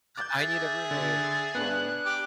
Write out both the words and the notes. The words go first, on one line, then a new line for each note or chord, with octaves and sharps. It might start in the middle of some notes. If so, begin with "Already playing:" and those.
"I need a roommate." Aw.
D6 F#6 G6 A6
G#4 E5 A6
D3 A6
B3 D4 F#6
G4 D6